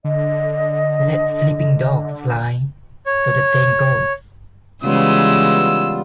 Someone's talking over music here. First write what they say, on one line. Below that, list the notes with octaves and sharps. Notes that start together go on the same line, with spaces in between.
Let sleeping dogs lie, so the saying goes.
D3 D#5
C#5
C#3 E3 G3 G#3 B3 F4 E6